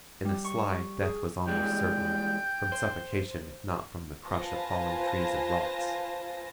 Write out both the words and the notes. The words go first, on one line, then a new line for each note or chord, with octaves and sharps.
In a slide death was almost certain, from suffocation if not from the crush of falling trees and rocks.
G3
C#6
G#4
E3 G3 G#3 G5
C5
F4 B4 C5 G#5 A5 A#6